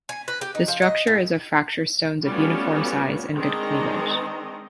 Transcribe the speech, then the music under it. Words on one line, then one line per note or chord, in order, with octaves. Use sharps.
The structure is of fracture stones of uniform size and good cleavage.
G#5
B4
G4
D#4
F3
D#5
A2
G3 A3 B3 C#4 F4 F#4
D#3 G#3 C4 D4 D#5 A#5